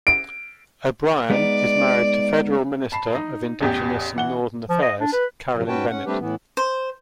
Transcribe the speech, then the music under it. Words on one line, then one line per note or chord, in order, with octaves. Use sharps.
O'Brian is married to federal Minister of Indigenous and Northern Affairs Carolyn Bennett.
D7
G#3 B3 D#4 D5
A5 B5 C7
D#4
A1 E2 G4
E3 F#5 G7
F3
D#5
D4
B4
G2 C3 F#3 A#3
G#2 C#4 F#4 B4 G5 A5
C#4 F#5
G3 A3 C4 D4 G4 B4
A2 E3 B3
C5